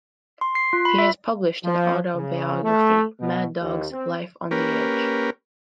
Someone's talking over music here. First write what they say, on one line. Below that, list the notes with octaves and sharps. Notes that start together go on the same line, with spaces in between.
He has published an autobiography, "Mad Dogs: Life on the Edge".
C6
C7
F4
B5
E5
F3
C#3
A3
B2
D#2
C4
A#3 C#4 G4 A#4 B4